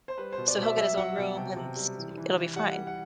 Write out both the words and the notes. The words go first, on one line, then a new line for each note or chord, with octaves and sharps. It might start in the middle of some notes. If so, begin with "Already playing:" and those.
So, he'll get his own room, and, s e it'll be fine.
C5
G3 B4
C5
B2
D5
B2 E5
F#3 E5
F#3 F#5
B2 F#5
C3 G5
C3
G3
E3
E3
E3
G3 F#5
G3
F#5